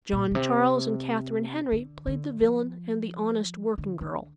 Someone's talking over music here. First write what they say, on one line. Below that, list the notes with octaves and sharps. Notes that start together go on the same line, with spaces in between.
John Charles and Katharine Henry played the villain and the honest working girl.
A#2
A#2
C3
D3
D3
F3
D3
D3